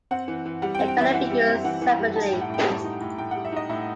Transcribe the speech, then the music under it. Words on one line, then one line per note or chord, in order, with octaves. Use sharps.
It cannot be used separately.
C4 F#5
E3
E3
G3 F#5
G5
C4
G5
E3 E5
E3 F#5
G3
C4
E3 F#5
E3
G3
D#4 A5
G5
A2
F#5
A2 G5
G3
D#4
A2
A2 G5
F#5
G3
E5
D#4 D#5
A2 E5